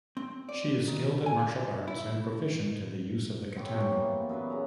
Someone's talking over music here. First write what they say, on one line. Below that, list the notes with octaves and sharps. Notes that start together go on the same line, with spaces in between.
She is skilled at martial arts and proficient in the use of the katana.
C4
D5
D#3
G#5
E4
B3 C4 G4 C#5
E3 A#3 B3
F#2 A#2 B3 B4
C#3 A#5